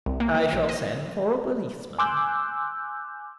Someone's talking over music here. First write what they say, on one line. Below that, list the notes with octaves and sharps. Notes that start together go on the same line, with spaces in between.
"I shall send for a policeman."
C2
A#3
F3
A#1
D#5
G#5 C6 D6 E6 F#6 G6